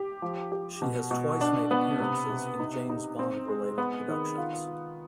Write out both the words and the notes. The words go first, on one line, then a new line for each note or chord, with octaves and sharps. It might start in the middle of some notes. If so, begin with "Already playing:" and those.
She has twice made appearances in James Bond-related productions.
Already playing: G4
F3
G4
B2
B2
D4
B3
C3
C3
D#4
D#4
C4
G#3
B3
D#3
F4
F4